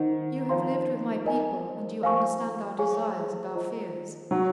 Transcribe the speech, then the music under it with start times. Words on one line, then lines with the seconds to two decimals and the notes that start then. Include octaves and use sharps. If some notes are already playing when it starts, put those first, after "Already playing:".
You have lived with my people, and you understand our desires and our fears.
Already playing: D#3 C5 D#5 F#5
0.49 F3 F4 C5 F5 C6
1.26 A#4 D#5 G#5
2.02 F3 A#4 F5 G#5 C#6
2.79 G#4 C#5 F5 G#5 C#6
3.55 F4 C5 D#5 A#5
4.31 F#3 D#4 F#4 C#5 F#5 C#6